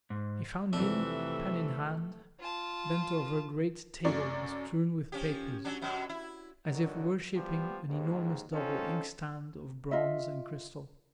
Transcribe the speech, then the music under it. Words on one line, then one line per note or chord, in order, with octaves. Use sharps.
He found him, pen in hand, bent over a great table bestrewn with papers, as if worshipping an enormous double inkstand of bronze and crystal.
G#2
F2 C3 E3 A3 D4 E5
F4 A5
F#2 F#3 A3 D5 C#6
F3 C#4 G4
F#3 C#4 D4
F#2 B2 F#3
E4
F#2 D3 D#3 F#3
F3 G3 B3 G4
D#2 G#2
C4 C#4 D#4 F4 A4
F4 D#5 E5